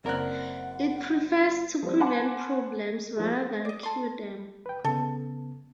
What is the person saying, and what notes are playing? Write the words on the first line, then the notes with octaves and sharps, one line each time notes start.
It prefers to prevent problems rather than cure them.
F#1 C4 A#4 D5 F#5 F#6
F3 G3 C4
F#5 G#5 A5 B5 C6 D6
F3 G#3
D5 D#5
A4 C6
B4 G5
C#3 B3 A4